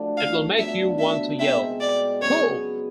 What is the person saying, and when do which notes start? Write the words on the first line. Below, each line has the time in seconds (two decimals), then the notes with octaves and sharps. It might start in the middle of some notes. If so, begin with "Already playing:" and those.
It'll make you want to yell 'Woooh!
Already playing: F3 A3 D4 F#4
0.17 F5
0.58 D3 F#3 B3 E5
0.99 E5
1.40 B2 G#3 C4 D#4 E5
1.80 D5
2.21 C#3 F#3 B3 C#5